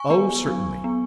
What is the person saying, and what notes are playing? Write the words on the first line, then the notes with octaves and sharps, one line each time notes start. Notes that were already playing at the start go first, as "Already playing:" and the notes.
'Oh, certainly.
Already playing: G#5 C#6
B3
F#3
B3